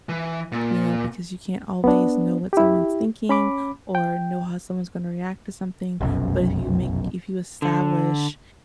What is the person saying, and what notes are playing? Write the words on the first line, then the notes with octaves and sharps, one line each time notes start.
you know, because you can't always know what someone's thinking, or know how someone's gonna react to something, but, if you make if you establish,
E3
A#2
B3 D4
E4 G4
C#4 B5 D6
G5
F1 B1 F#2
D3